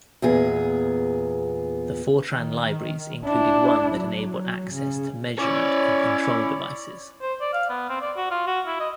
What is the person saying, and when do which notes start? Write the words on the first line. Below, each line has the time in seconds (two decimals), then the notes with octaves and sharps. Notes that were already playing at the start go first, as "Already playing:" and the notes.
The Fortran libraries included one that enabled access to measurement and control devices.
0.22 E2 A#2 B3 G#4
2.32 D#3
3.25 D4 E4
3.95 F#3
4.71 C#3
5.38 C#4 E4 C#5 D5
7.21 C5
7.41 D5
7.53 F5
7.69 B3
7.89 C4
8.01 D5
8.17 F#4
8.31 F4
8.47 F#4
8.67 E4
8.80 D#5